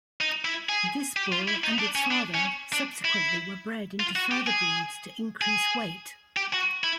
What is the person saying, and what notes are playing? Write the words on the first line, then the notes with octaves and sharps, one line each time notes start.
This bull and its father subsequently were bred into further breeds to increase weight.
D#4
E4
G#4
G4
F4
E4
D#4
D4
C#4
D4
C#4
D4
E4
F4
F#4
G4
G#4
G#4
G4
F#4
E4